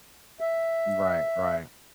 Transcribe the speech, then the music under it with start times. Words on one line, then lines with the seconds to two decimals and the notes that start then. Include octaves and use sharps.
Right, right.
0.40 E5